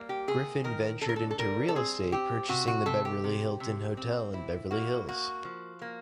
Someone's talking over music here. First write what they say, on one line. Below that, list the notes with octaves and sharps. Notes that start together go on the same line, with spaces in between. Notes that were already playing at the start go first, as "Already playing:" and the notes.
Griffin ventured into real estate, purchasing the Beverly Hilton Hotel in Beverly Hills.
Already playing: G3 A#3
G4
C3 G#4
D#3 A#4
D3 A4
A#4
A4
A4
G3 A#4
A4
C4 G#4
C4 G4
C3 F#4
F#4
C3 A4
G4
C3
C3
C4
E4
A#3 F#4
A#3 F#4
F3
A#3